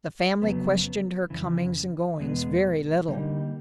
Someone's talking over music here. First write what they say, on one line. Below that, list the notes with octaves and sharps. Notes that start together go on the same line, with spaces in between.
The family questioned her comings and goings very little.
F2 C#3 F#3 B3
F2 C#3 E3
E2 B2 G#3 B3
D3 G3 A#3 D#4